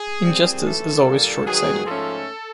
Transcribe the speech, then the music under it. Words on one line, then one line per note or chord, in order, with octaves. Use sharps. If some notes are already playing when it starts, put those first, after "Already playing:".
Injustice is always short-sighted.
Already playing: G#4
A#2 G3 C4
A2 E3 A3 A4
A#2 G3 A#3 D4
D#3 F#3 B3 G#4
G#2 F3 A3 C#4 A4